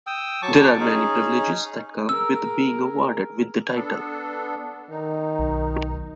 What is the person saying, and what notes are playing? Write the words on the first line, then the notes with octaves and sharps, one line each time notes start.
There are many privileges that come with being awarded with the title.
G5 D#6 E6
F#3 A5 C#6 D6
C#4 D#4 G#4
G#4 A#4 E6
B3 D4 A4
D#3 D#4
B1